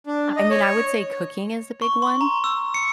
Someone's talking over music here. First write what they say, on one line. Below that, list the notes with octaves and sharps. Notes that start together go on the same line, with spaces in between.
I I mean, I would say cooking is the big one
D4
D#5
C#5
C#6
C6
A#5
E6
C#7